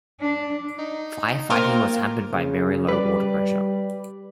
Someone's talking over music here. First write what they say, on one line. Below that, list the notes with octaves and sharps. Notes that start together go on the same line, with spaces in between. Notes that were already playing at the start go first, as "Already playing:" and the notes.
Firefighting was hampered by very low water pressure.
D4
D#4
A#3 C4 F4 A#4
C#3
G3 B4 D5